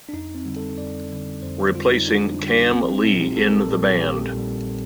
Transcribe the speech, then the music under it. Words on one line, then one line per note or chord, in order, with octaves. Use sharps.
Replacing Kam Lee in the band.
D4
F2 D#4
C4
D3 G3
A4
F2 D5
D3 G3
F2 C5
C5
D3 G3 F4
D#4
F2 D4
D3 G3
A#1 C4
C4
A#2 G3 D#4
G4
A#1 A4
A#4
A4
A#2 G3
A#1 G4
A#2 G3